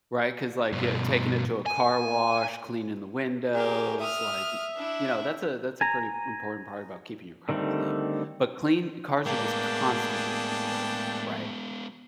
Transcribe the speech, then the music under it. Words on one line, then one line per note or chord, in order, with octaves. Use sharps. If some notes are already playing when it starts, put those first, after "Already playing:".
right, 'cause, like, y taking it to a car wash, cleaning the windows, like, uh, you know, that's a that's a pretty important part about keeping your car clean, but clean cars are just constantly getting dirty, right,
G2 B2
G#5
G4 G#4 A#4
E5 D#6 F6
D4 E4
G#5 A#5
D3 D#3 G3 A3 C4
A2 G#3 A#3 B3 D4 G#4 G5